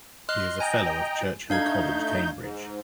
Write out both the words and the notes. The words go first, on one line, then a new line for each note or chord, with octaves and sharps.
He is a fellow of Churchill College, Cambridge.
D#5 C6 F6 F#6
D#5 G5 G#5 A#5
A3 D4 D#4 F5 G6 G#6
G#2